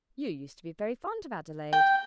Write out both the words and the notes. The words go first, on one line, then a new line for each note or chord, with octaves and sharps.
"You used to be very fond of Adelaide."
G5